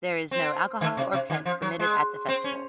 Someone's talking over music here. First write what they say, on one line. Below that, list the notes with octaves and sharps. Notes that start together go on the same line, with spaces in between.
There is no alcohol or pets permitted at the festival.
C4
D#3
C3
C3
D#3
F3
F#3
G#3
C4
C#4